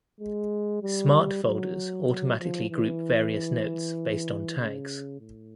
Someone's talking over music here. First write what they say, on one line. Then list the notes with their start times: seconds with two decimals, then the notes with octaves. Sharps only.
Smart Folders automatically group various notes based on tags.
0.21 G#3
0.83 G3
1.44 F#3
2.07 F#3
2.39 F3
2.70 E3
4.58 C#3
5.20 A2